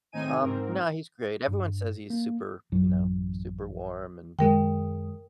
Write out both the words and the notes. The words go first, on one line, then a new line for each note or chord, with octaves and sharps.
Um, no, he's great, everyone says he's super, you know, super warm and
A2 D#3 C4 D#4 G#5 D#7
G#2 C4 A#4
G2
A#3
A1 F#2 F#3
F#2 D#3 G#3 A#4 G5